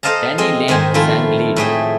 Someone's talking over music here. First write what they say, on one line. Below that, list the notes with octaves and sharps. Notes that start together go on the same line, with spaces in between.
Denny Laine sang lead.
A4 C5 D#5 F5 A5 A#5
G#3 C4 D#5
G#2 D#3 C4 C5 G#5
D#3 F3 A3 E4 F4
A2 A3 G#4 G5